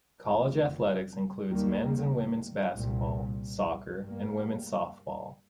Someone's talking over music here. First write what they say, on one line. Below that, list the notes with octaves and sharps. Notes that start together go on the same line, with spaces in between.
College athletics includes Men's and Women's basketball, soccer and women's softball.
F1 F2 F3
D#2 D#3 G3 A#3
C2 A#2 G3
G2 G3 A#3